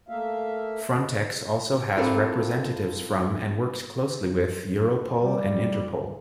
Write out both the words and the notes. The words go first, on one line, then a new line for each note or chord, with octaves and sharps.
Frontex also has representatives from and works closely with Europol and Interpol.
A3 A#3 E5 F5
C4 E4 F4 G4 A4 A#4
G3